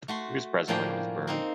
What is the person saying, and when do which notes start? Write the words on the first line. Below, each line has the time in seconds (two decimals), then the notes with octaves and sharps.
He was present when it was burned.
0.08 A3 F#4 C6
0.68 A2 F3 A#3 D4 G#4 G5
1.27 A#3 C4 D#4